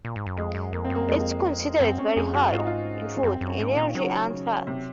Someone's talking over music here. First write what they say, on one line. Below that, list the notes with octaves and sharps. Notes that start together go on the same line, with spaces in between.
It is considered very high in food energy and fat.
A#2
G#2
F#2
F2 G#3
F#2
F2 A#3
C4
F#2 A#3
F2 G#3
F#2 C4
C#4
F2 G#4
F#2 F#4
G#2 F4
D#4
F4
F#2 C4
F#2
C#4
G#2
D#3
A#2
C#3 F#3
C#3
C3